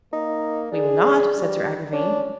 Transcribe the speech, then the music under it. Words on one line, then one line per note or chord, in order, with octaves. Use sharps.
"We will not," said Sir Agrivain.
A#3 D#4
D4 G#4
G3
C#4 D4